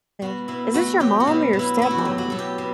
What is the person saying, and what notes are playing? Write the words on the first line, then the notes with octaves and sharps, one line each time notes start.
god. Is this your mom or your stepmom?
B2 F#4
B2 E4
A3 F#4
F#3 G4
F#4
B2
B2
E4
A3 E4
F#4
G4
F#3
F#4
B2 A4
G4
B2